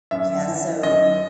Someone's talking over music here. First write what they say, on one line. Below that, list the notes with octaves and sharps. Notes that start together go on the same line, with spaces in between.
Yeah, so
F#2 E5
E3
F#2 D#5